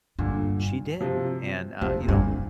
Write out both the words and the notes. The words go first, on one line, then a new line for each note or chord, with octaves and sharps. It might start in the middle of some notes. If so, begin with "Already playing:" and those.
she did, and, uh, you know,
G2 A#2 D3
C3 F3
F2 C3 F3
C3
G2 A#2 D3